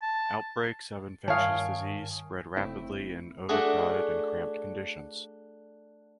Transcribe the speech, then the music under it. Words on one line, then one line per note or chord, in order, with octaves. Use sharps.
Outbreaks of infectious disease spread rapidly in overcrowded and cramped conditions.
A5
G2 D#3 C#5 F5 G#5 A5 D#6
F#1 A3 C4 E4
A3 D4 F#4 G#4